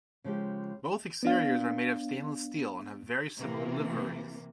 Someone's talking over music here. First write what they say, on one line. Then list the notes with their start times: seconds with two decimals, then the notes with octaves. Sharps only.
Both exteriors are made of stainless steel and have very similar liveries.
0.24 C#3 F3 G#3 G4
1.23 B3 D4 F5
3.39 C3 E3 A#3